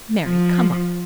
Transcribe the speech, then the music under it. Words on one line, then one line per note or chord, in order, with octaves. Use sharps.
Marry, come up!
F3